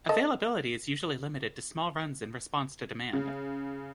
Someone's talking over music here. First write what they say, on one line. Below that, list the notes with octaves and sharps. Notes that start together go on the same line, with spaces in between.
Availability is usually limited to small runs in response to demand.
A4 D#5
C#3